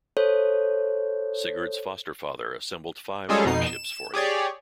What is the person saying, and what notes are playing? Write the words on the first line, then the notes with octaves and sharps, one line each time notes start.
Sigurd's foster-father assembled five longships for him.
A4 C5 C#5
G3 G#3 C#4 F4 G#4 A4
F2 B2 D#4 C7
E7
G4 G#4 C#5 D5